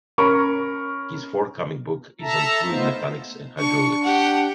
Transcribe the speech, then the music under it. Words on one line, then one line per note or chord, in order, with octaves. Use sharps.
His forthcoming book is on Fluid Mechanics and Hydraulics.
C#4 A#4 B5 C#6
A4 E5 A5 A#5
A3 B3 D#4 F4 C5
D4 C#6 C#7
G4 F#5